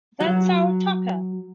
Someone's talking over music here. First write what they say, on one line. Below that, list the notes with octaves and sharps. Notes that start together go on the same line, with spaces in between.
That's our tucker!!!
F#3